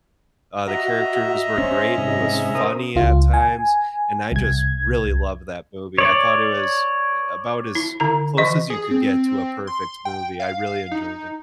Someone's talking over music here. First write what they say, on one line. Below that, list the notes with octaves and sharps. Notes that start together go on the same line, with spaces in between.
uh, the characters were great, it was funny at times, and I just really loved that movie, I thought it was, eh, about as close as you could get to a perfect movie. I really enjoyed it.
F#4 D#5 E5 A#5
C#4 C5
G#2 C3 D#4
A#4 C5 D#6
C#2 F4
G#5
C2 G#6
C#5 D5
E4
D3 E4 A#5
E3 D#5 C#6
G#4
C4
C6
G5
F5
F5
D#4